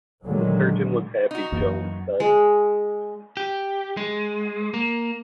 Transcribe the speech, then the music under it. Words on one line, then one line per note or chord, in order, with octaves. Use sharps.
"The surgeon was happy," Jones said.
A#2 D3 D#3 F#3 G#3 A3
D#4 F#4
F#2 E3 F#3 A#3
G#3
G4
G#3
A#3